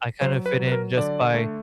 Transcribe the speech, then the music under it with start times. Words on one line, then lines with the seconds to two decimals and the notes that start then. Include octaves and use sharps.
I kind of fit in just by
0.21 F#3 C5
0.46 B4
0.59 F#3
0.67 B4
0.72 A#4
0.97 D3 D5
1.35 A3